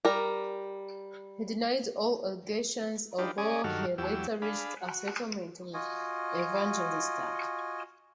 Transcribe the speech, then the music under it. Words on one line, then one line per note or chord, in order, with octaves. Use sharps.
He denied all allegations, although he later reached a settlement with Evangelista.
G3 A#4
D4 D#4 F4 G4 B4
C#4 G#4 D5 D#5 G#5
G2 D#3 F#3 F#4 A4 F6
E2 F#3 G4 E6
D4 G#4 F5 B5
F#4
F4 F#4 D#5 G#5